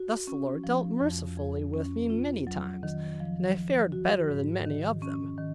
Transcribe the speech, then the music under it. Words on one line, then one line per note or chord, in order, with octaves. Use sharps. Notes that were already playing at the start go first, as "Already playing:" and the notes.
Thus the Lord dealt mercifully with me many times, and I fared better than many of them.
Already playing: F#4
C#4
F3
F2
F2
C#4
F4
F#3
D#3
F3
F3
F#4
G#2
D#3
C#4
D#3